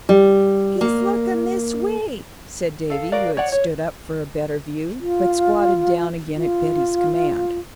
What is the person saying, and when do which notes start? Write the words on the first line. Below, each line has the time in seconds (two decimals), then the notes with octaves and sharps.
"He's looking this way," said Davy, who had stood up for a better view, but squatted down again at Betty's command.
0.09 G3
0.81 A#3
2.90 A4 F5
3.12 F#4 A#4 D5 F5
3.37 C#5 D5 F#5
3.52 C#5
5.00 F4
6.36 F4